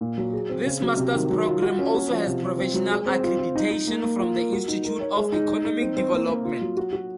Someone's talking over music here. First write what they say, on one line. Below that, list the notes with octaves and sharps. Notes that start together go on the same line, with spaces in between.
This Masters programme also has professional accreditation from the Institute of Economic Development.
A#2
F#3
G#4
C4
C#3
F#3
C3
D#3
F#3
F4
F#4
C#4
F#4
F3
C3
F4
C4
F#3
G#3
C4
F4
F4
D#4
D#4
A#3
A#3
F4
A#4
F#4
D#4
A#4
C#5
G#3
D#4
D#4
D#4
C4
C4
A#3
A#3
F4
F#3
F#4
F#4